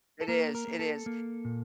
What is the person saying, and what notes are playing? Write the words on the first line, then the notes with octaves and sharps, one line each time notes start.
It is, it is
A4
A#3 A#4
A#4
A#3
A4
A#3
A#2